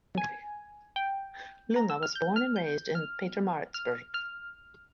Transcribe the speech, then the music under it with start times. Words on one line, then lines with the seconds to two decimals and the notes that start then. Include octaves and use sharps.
Lunga was born and raised in Pietermaritzburg.
0.18 G#5
0.96 G5
1.76 A#5
1.90 E6
2.03 F6
2.15 G6
2.36 F6
2.56 G6
2.95 F6
3.74 F6
4.14 F6